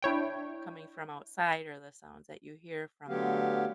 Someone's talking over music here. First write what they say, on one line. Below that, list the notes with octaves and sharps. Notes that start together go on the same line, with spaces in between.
coming from outside or the sounds that you hear from
D4 E4 C#5 G5
D3 F#3 A3 B3 G4 F5